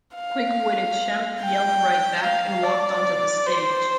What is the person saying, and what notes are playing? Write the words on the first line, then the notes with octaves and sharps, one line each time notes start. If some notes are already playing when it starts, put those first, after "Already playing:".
Quick-witted Shemp yelled right back, and walked onto the stage.
F5
G5
F5
D5
C5